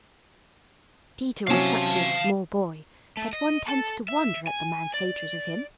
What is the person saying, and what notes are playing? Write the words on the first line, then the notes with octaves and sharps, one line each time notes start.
Peter was such a small boy that one tends to wonder at the man's hatred of him.
C3 F#3 C#4 F5 A5
A3
D#5
A4
E5
G#5
D5